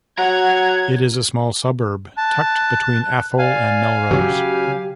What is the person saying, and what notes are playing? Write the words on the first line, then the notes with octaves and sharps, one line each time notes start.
It is a small suburb tucked between Athol and Melrose.
F#3 F#5 A#5 G#6
A5 F#6
D5 F5 G#5
C#3 F#3 G4